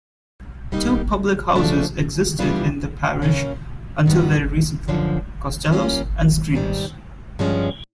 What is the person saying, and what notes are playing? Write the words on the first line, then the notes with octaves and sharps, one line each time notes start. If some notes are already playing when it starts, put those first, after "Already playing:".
Two public houses existed in the parish until very recently, Costellos and Screenes.
G3 A#3 D#4 G4
D2 C#3 F3 A3 D4
E3 G3 B3 D4 F4
C#3 F#3 A#3 C#4
G2 D#3 G3 B3
F#2 D3 F3 G#3
G3 A#3 C#4 F4
G#2 D#3 G3
G2 D3 F3 G#3 C#4